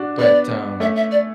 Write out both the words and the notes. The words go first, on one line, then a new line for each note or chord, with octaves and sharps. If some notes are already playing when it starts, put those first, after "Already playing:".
but, um
Already playing: D4 F#4
B3 D4 D5
A3 C#4 E5
E5
D5